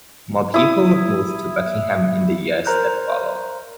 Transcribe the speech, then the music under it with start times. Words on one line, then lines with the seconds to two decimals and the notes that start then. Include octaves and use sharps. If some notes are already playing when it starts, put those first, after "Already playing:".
More people would move to Buckingham in the years that followed.
0.54 E4 D#6
2.66 A#4 C5 A#5 F#6 G6